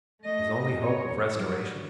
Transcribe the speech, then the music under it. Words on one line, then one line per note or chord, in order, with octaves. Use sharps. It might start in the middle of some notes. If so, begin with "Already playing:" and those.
His only hope of restoration!
A3 D#5
C#5
F#3 G3